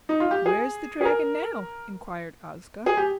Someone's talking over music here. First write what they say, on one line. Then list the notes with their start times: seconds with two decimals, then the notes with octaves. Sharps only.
"Where is the dragon now?" inquired Ozga.
0.09 D#4
0.20 F4
0.31 G4
0.46 G#4
1.01 G#4
1.05 A#4
2.86 G#4
2.97 G4